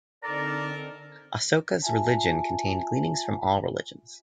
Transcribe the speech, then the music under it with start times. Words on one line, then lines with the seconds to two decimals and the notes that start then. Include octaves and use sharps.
Ashoka's religion contained gleanings from all religions.
0.23 D3 C4 D#4 A4 A#4 D5 A#5
1.82 F4 E5 G#5 A5